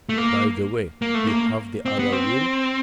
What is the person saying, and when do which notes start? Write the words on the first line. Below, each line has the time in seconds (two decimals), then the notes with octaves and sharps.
"By the way, you have the other will?"
0.09 A3
0.18 A#3
1.02 A#3
1.15 A3
1.27 A#3
1.86 C4
1.99 B3
2.12 C4